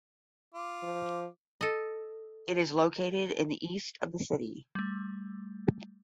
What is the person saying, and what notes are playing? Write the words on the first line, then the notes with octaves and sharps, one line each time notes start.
It is located in the east of the city.
F4 D6
F3
A4 D#5
G3 A3